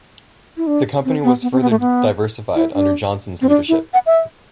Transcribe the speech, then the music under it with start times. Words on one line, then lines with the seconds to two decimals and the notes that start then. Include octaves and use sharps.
The company was further diversified under Johnson's leadership.
0.57 E4
0.67 D4
1.05 C4
1.24 B3
1.42 B3
1.52 C4
1.62 B3
1.70 A3
1.80 B3
2.55 E4
2.74 D4
3.42 C4
3.49 D4
3.69 E4
3.94 F#5
4.06 E5